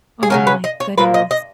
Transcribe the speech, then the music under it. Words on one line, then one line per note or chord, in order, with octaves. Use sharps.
Oh my goodness.
G#4
C#3 F#3 C#4 A#4
B4
D#5
C#5
A#2 F3 A#3 B4
D#5
D#5